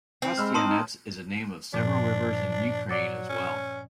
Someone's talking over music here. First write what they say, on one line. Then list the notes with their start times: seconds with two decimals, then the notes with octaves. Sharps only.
Trostianets is a name of several rivers in Ukraine as well.
0.22 C4
0.37 G#3 B5 E6 F6
0.54 D#4 A5 C6 D#6
0.68 D#4
1.73 G2 A#2 F3 D4
2.89 F#3 D5 D6 A6
3.29 C#4